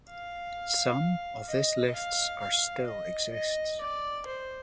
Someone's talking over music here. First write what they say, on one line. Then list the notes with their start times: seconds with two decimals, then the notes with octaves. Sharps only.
Some of this lifts are still exists.
0.10 F5
1.49 D#5
1.95 F5
2.42 F5
2.87 D#5
3.33 D#5
3.81 D5
4.27 C5